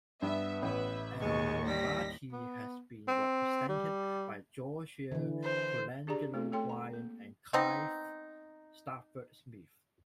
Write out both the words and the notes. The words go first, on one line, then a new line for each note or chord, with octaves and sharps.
Al Murbati has been represented by Joshua Colangelo-Bryan and Clive Stafford Smith.
G2 B3 E5
A1 B4 E5
D#2 G#3 C#6
G3 A#6 B6
B3
C4
G3
D3 E3
C5
D4 G4 G#4 D5 A#5
A3 B3 C4 F4 A4
A3 A4 C#5 G5 C6
A#5
A#3
B3 C4 D#4